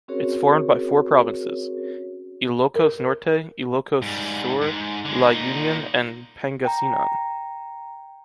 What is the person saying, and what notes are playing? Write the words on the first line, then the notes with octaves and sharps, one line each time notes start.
It’s formed by four provinces: Ilocos Norte, Ilocos Sur, La Union and Pangasinan.
C4 C#4 F#4 G#4 A#4 C#5
A#4
G#2 G3
G#2
D3 G#3
A#2 D#4
G5 A#5